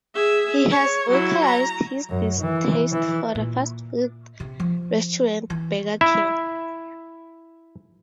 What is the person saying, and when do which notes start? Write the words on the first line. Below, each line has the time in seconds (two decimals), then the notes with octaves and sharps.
He has vocalized his distaste for the fast food restaurant Burger King.
0.15 G#4 E5
0.71 C#5
1.11 F#3 E4
1.45 A#5
2.10 F#2
2.40 E3
2.92 E3
3.35 A#2
4.40 C3
4.60 F3
5.50 E3
6.01 E4 E5